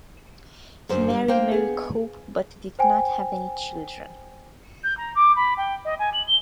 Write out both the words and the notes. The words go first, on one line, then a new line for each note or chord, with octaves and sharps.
He married Mary Cope but did not have any children.
F#2 D3 C5
G3
A#3 C5 G5
B3 G#4
C5 G5 G#5
G6
A#5
D6
B5
G5
D#5
G#5
F#7
G7